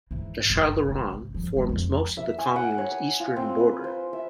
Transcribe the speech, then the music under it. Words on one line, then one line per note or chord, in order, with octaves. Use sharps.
The Chalaronne forms most of the commune's eastern border.
G#2 E3
G1 C#2
G#1 C#2
G2 F3
G#3 A#3
F2 F3
E5
G#5
F#5
C#5
D#6
F4
C4
B4
C5
E5